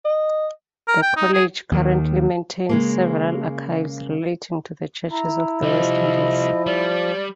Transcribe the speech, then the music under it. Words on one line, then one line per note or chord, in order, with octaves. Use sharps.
The college currently maintains several archives relating to the churches of the West Indies.
D#5
A#4
G5
D#4
G#4
D#2 D#3
C#3 G#3 A#3
E4 A#5
C2 F3 G3 D#5
G3 D5